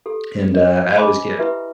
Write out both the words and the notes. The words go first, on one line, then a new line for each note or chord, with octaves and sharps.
And, uh, I always get
G4 A4
C#5 D#5
C5 G#5 B5 C6 D6
E4 G4 B4 E5